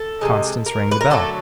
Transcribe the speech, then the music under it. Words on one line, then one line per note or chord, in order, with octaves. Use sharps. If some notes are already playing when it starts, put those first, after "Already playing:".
Constance rang the bell.
Already playing: A4
C3 F3 G#3
A#4
B4
A#4
D3 F#3 A3 A4